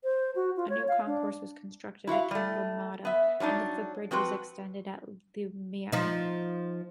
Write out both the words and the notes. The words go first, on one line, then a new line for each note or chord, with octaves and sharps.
A new concourse was constructed at Cabramatta and the footbridge was extended at Leumeah.
C5
F#4
F4
C#5
F5
D4
E4 F#4 E5 F5
G3 A3
B3 E5
F#3 G3 D4 D#4
F3 C4 F#4 B4
F3 D#4